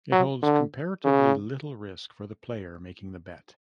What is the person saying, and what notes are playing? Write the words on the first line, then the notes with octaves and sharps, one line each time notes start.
It holds comparatively little risk for the player making the bet.
F#3
D3
C#3